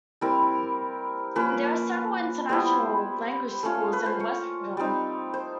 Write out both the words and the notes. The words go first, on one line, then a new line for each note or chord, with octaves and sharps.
There are several international language schools in Westbourne.
G3 C4 E4 A#4
F3 A#3 C#4 B4
G3 B3 E4 C5
A3 C#4 F4
B4
C5
C#5
G3 C4 D#4
C5